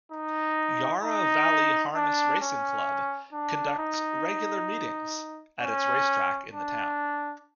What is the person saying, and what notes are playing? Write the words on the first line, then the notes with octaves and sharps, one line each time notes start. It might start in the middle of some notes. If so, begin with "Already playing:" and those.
Yarra Valley Harness Racing Club conducts regular meetings at its racetrack in the town.
D#4
D#4
D4
C#4
D4
D#4
C#4
D4